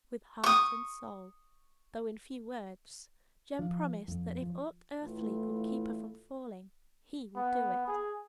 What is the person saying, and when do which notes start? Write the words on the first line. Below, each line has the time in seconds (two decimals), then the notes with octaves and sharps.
With heart and soul, though in few words, Jem promised that if aught earthly could keep her from falling, he would do it.
0.44 C#6 D#6
3.59 F3
4.08 F2
4.42 F3
5.03 A2 E3 A3 F4
7.36 B3
7.87 G#4